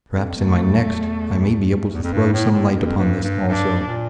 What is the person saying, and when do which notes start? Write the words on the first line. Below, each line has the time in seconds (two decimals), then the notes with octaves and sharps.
Perhaps in my next I may be able to throw some light upon this also.
0.13 F2
0.38 E2 A3
0.52 F2
0.63 E2
1.94 E2 A#3
2.04 F2
2.13 G2
2.33 A2
2.52 A2
2.72 F2
2.79 G2
2.86 F2
2.97 G2
3.23 G2
3.49 G2 D4
3.88 A#2